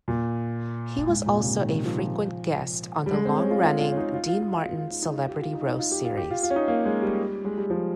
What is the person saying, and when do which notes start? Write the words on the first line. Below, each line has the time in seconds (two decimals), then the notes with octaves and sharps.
He was also a frequent guest on the long-running "Dean Martin Celebrity Roast" series.
0.08 A#2
1.09 G#2
1.26 A#2
1.36 C3
1.44 C#3
1.60 D#3
1.73 D#3
1.85 F3
1.98 F3
3.06 G3
3.13 G#3
3.25 C4
3.38 C#4
3.50 F4
3.63 F4
3.80 F4
3.92 C#4
3.97 D#4
4.14 F4
4.27 F4
4.40 F4
4.52 F4
4.65 F4
4.77 F4
4.91 D#4
5.02 D#4
5.16 F4
5.29 G4
5.42 F4
5.54 D#4
5.67 D#4
5.79 F4
5.92 G4
6.05 F4
6.17 G4
6.31 F4
6.43 F4
6.50 C#4
6.56 D#4
6.68 A#3
6.85 G#3
7.02 G3
7.45 G#3
7.58 G3
7.70 F3